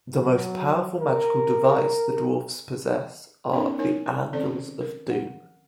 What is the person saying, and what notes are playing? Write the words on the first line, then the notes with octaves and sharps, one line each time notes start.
The most powerful magical device the Dwarfs possess are the Anvils of Doom.
F#3
A#4
B3 C#4 D#4 A#4
D#4 E4 A#4 C#5 G#5
D#3 C4 C#4 A4 D5
A#4
F#5